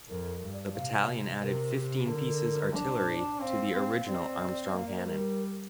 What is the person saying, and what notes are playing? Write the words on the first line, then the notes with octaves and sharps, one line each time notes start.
The battalion added fifteen pieces artillery to the original Armstrong cannon.
F2 A#4
G2
D5
C3 F5
C3 A#4
G4
D3 A#4
D4 D5
C5
D5
C4 F5
C4
C4 D5
A#3 F5
D5
C5
G3 A#4